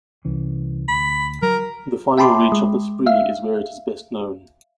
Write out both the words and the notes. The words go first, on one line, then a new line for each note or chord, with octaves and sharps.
The final reach of the Spree is where it is best known.
C2 E3 C#4
D2 B5
F#3 A#4
E5 G5 A5 B5 C6 D6
G#3
E5 F5